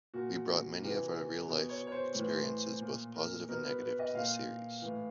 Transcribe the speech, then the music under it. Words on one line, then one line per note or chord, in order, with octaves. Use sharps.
We brought many of our real-life experiences, both positive and negative, to the series.
A#2 F#4
C3 E3
B2
C#5
C#5
C5
A2 E3
A#2
A#4
B2 A#4
B4
B4
D#5
A#2 F5
A2 E3